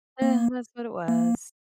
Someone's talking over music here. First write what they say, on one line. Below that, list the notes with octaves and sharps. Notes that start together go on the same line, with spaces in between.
eh, that's what it was.
A#3
A#3